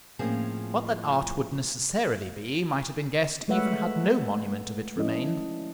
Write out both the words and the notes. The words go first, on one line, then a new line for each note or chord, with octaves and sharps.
What that art would necessarily be, might have been guessed even had no monument of it remained.
A2 F3 A#3 C4 C#4 G#4
G#3 A3 B4 C#5 E5 F#5
F3 C#4 D4 E4 D#5